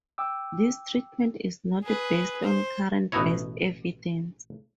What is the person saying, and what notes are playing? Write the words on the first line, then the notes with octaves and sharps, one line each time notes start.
This treatment is not based on current best evidence.
G5 D6 E6
G#4 B4
C5
A1 B2 B3 D#4 E4 C#5